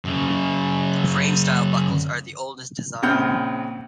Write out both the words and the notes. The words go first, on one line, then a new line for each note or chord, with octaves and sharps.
Frame-style buckles are the oldest design.
F#2 C#3
A#1 C#3 C4 F#5 F6 G6